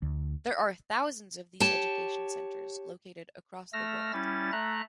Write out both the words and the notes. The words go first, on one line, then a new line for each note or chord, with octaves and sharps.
There are thousands of these education centers located across the world.
D2
G4 C#5 A5
A3 E6 F6 A#6
G3 C#4 E4 A6
A3 E5 A#5 F#6